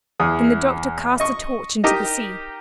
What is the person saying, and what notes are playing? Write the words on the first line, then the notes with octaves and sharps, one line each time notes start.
Then the doctor cast the torch into the sea.
E2 G#4 D#6
D#5 C#6
D#4 G4 A#4 D#5